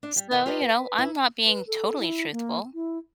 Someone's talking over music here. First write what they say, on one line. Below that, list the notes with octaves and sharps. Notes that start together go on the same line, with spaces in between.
So, you know, I'm not being totally truthful,
D4
G3
C3 E3 A#4 C5 D#5
F4 G4 B4 D5 D#5
B4
E4
B4
A4
E4
A#3
E4